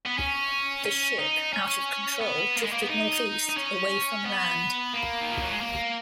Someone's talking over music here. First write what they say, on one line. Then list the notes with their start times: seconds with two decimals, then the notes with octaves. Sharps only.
The ship, out of control, drifted northeast, away from land.
0.06 B3
0.18 C#4
0.85 C#4
1.19 D#4
1.53 C#4
2.21 B3
2.56 A#3
2.64 G#3
2.72 A#3
2.81 B3
2.90 D#4
3.49 D#4
3.57 C#4
4.25 B3
4.93 A#3
5.21 D#3
5.31 F3
5.41 F#3
5.51 G#3
5.61 A#3